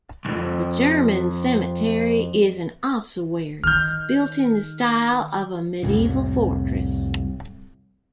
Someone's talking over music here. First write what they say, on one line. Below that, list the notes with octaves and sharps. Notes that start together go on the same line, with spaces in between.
The German cemetery is an ossuary, built in the style of a medieval fortress.
C2 F2
D#3 F6 G6
C2 F2 A2